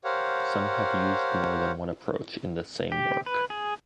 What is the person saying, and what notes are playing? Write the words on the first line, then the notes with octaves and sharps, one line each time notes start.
Some have used more than one approach in the same work.
G4 A#4 C5 C#5 F5 F#5
G4
B4
G#4